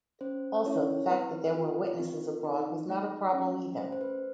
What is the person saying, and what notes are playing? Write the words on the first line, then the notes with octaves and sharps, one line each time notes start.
Also, the fact that there were witnesses abroad was not a problem either.
C#4 C5
C#4 E4 C#5
C4 B4
F4
C4
D#4
A3
C#4
A3 C5
C5
B4